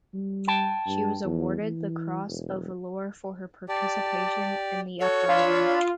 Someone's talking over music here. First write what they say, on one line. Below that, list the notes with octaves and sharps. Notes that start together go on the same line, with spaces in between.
She was awarded the Cross of Valour for her participation in the Uprising.
G3
G5 A5
G2
E2
E3
E1
G4 D5 A5
F#4 A4 C#5
D4 F4 B5 E6